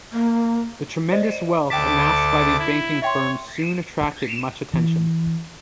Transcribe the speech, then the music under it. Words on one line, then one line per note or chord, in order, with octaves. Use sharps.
The tremendous wealth amassed by these banking firms soon attracted much attention.
A#3
C5 D5 D#5
D2 G5 A5 D6 B6
C#7
E4
C#5 E5 G5 C6
E3